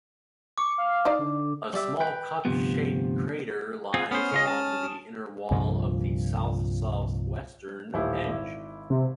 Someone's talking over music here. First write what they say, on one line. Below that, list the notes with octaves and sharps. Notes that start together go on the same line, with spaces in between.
A small, cup-shaped crater lies along the inner wall of the south-southwestern edge.
C#6 D6
F5
D#4 C5 D5
D3
G3 D5 E5
B4 G5
D2 G2 C3 F3 B3
C4 F4 G#4
B3 C#4 C5 D#6 F6
C#3 F4 D#5
A5
C2 G2 A#2 F3
D#1 A1 E4
G#1 E4
C3